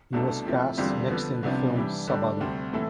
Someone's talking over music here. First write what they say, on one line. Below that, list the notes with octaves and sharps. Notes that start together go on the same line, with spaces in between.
He was cast next in the film "Sabado".
C2 B2 A3 D4 A4
C3 F3 A3 E4
E2 D3 G3 C4 F4
D3 F3 B3
C2 C3 F3 B3 D4
E3 G3 D4
D3 G3 D4
D2 C3 G3 C4
A2 E3 A3 E4 A4